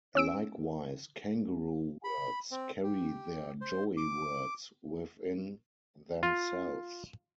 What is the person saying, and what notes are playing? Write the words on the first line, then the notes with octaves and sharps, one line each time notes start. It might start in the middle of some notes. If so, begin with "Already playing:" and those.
Likewise, "kangaroo words" carry their "joey words" within themselves.
C#4 E6 D7
B5
C4
G4
C5
D6
F4